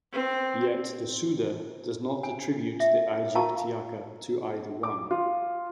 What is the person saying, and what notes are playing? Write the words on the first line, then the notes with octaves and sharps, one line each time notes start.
Yet the Suda does not attribute the "Aegyptiaca" to either one.
C4
G#5
E5
A#4 F5 A5 A#5 C#6
D6
F4